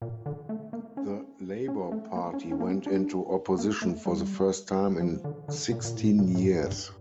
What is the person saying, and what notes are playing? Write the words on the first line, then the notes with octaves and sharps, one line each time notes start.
The Labour Party went into opposition for the first time in sixteen years.
A#2
D3
A3
A#3
C#4
C#4
A3
A#3
C#4
C#4
A#3
C#4
D4
A#3
A3
G3
F3
D3
D3
A#2
A#2
A2
A#2
A2
G2
G2